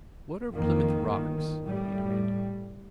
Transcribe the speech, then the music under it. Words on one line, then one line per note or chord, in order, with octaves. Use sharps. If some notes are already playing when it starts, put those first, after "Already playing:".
"What are Plymouth Rocks?" he demanded.
F2 D#3 A#3
G1 D#3
A2 G3